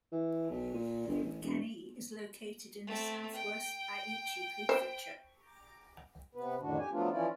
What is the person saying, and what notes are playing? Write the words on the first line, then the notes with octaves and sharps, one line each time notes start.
Kanie is located in the southwest Aichi Prefecture.
E3
B1
A#2
G1
A1
E1
A3 C4
G5
C5
C3 B3 B4
F2 A2 D3 D#3 D4 F#4
G4 G#5
F3 F#3 A3 B3 D4 F4
E3 F3 C#4 E4 F4 D5